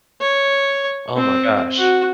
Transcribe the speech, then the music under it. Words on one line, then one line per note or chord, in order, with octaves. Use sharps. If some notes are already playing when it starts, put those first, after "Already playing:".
Oh my gosh.
C#5
C4
F#4